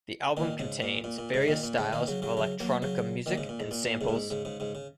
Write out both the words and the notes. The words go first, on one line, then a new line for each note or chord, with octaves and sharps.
The album contains various styles of electronica music and samples.
A#2 D#3
G#2 C#3
A#2
A#2
A#2
G#2 C#3
A#2 D#3
A#2
G#2 C#3
A#2 D#3
C#3 F#3
C#3 F#3
C#3 F#3
F#3 A#3
C#3 F#3
A#2 D#3
G#2 C#3
A#2
G#2
A#2
A#2
G#2 C#3
A#2
G#2
G#2 C#3
G#2 C#3
G#2 C#3
C#3